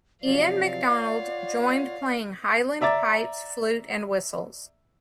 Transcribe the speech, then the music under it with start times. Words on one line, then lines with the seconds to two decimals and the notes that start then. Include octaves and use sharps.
Iain MacDonald joined playing highland pipes, flute, and whistles.
0.22 C3 F3 F#3 D5 F5
0.86 F4 C#5 F#5
2.81 D5 E5 A#5 D6 A6